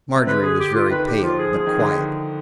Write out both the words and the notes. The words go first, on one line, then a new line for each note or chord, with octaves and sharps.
Margery was very pale, but quiet.
C3
D3 B4
G#4
G4
F4
D#3 B4
G4
F3 F4
G#4
F3 G#4
D#3
D3
D#3